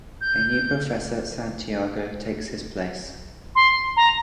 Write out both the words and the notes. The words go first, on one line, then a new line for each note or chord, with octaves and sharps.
A new professor Santiago takes his place.
G6
C6
A#5